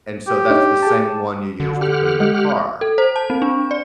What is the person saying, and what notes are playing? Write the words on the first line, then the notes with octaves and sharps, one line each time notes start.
And so, that's the same one you use to put in the car.
G4
D4 D#4 C#5
G#4 G5 A5
D3
G4 F#5 F6
G#3
A4
C5
A5
C4
D4
D5